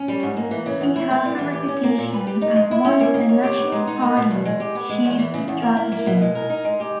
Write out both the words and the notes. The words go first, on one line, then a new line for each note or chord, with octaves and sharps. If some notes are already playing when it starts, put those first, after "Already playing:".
He has a reputation as one of the National Party's chief strategists.
Already playing: C#4
G3
G#2
A#3
E3
C#3
E2
E4
B3
G3
E3
G4
C#4
A#3
A#2
B4
G4
D#4
G#3
E4
C#4
A#3
D#3
C#5
G4
B3
G#3
D#4
A#3
B2
E2
G#3
G4
B3
G#3
E2
E3
C#3
E2
A#4
E4
A#3
B2
G#3
A#4
D#4
G#3
G4